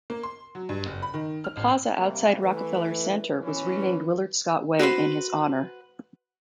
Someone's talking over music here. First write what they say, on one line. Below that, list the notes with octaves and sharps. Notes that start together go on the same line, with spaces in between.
The plaza outside Rockefeller Center was renamed Willard Scott Way in his honor.
A#3
C6
F#3
G2
F#1
B5
D#3
F6
A1
C3 G3 A#3
E3 A3 B4
B2 E3 C#4
B4
F#4 B4 C5 B5